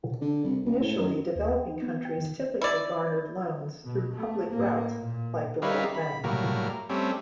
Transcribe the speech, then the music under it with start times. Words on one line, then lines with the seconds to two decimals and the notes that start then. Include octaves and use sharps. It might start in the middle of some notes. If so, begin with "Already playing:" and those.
Initially, developing countries typically garnered loans through public routes like the World Bank.
0.22 D3
0.44 C2
0.65 C#2
0.80 A2
0.99 F#2
1.36 D#2
1.48 G5
1.68 D#4
1.82 B3
2.05 G5
2.18 D#3
2.62 E4 D5
3.84 B2
4.15 A3
4.49 A2 A#3
4.97 A#2
5.62 G3 D#4 E4 B4 C#5 F5
5.94 B5
6.24 A2 F#3 G3 A#3 A#4
6.89 G3 A3 C4 C#4